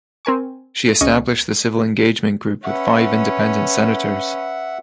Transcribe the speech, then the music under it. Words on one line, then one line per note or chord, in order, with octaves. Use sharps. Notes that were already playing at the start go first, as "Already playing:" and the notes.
She established the Civil Engagement group with five Independent Senators.
C4 A#4 G#5 C#6
C#2 C#4 D#5 C#6
C#4 B4 E5 F#5